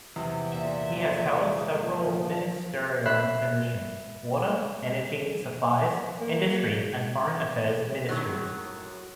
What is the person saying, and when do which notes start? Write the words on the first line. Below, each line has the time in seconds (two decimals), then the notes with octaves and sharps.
He has held several ministerial positions; water, energy, supplies, industry and foreign affairs ministries.
0.16 E2 C3
0.53 A#2 E5
1.79 A#2 F3
3.05 E5 B5 F#6 B6 C7
6.20 A#3
8.09 F#2 A2 D#3 F#3